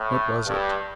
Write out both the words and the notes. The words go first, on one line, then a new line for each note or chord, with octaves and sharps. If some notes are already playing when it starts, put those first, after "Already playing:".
What was it?
Already playing: A2
G2